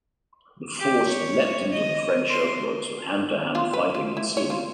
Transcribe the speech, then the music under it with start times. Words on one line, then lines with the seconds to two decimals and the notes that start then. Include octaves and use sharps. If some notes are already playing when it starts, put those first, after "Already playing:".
The force leapt into the French earthworks, with hand-to-hand fighting ensuing.
0.80 G4
1.08 C#5
1.72 D#5
2.30 C6
3.55 F4
3.73 B4
3.95 F4
4.17 E4
4.37 C#5
4.50 F4